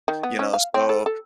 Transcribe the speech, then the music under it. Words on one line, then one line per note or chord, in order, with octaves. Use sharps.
you know, so,
D#3
B3
C#4
F5
C4
A4
A4